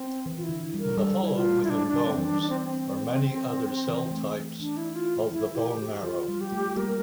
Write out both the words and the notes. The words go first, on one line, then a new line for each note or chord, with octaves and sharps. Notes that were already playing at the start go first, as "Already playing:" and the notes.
In the hollow within bones are many other cell types of the bone marrow.
Already playing: C4
E3
F4
E4
D3
G3
A#4
G3 A4
E4
F4
E4
D4
D4
D3
C4
E3
D4
D4
C4
C4
E3
A3
E3 D4
E4
F4
F3 E4
G4
G4
F3 F4
G3
G4
A3
A3
G3 A#3 A#4